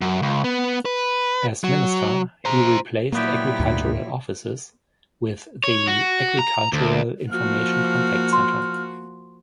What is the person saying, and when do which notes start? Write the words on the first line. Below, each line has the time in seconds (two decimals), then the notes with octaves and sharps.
As Minister, he replaced agricultural offices with the Agricultural Information Contact Centre.
0.01 F#2
0.22 C#2
0.44 B3
0.85 B4
1.64 F#3
2.45 C5 A#5
3.12 A#2 F#3 G3 A#3 B3 E4 G4
3.60 D2 G#2
5.64 C#5
5.88 F#4
6.39 A#5
6.73 D2
7.31 F3 A#3 F#4 F6
8.33 C6